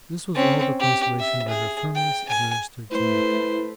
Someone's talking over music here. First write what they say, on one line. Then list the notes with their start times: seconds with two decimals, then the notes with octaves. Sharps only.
This was all the consolation that her firmness administered to me.
0.35 C4 C#4
0.80 G4
1.19 E5
1.49 G#4
1.95 G5
2.29 G#5
2.91 A3 E4 B4 C5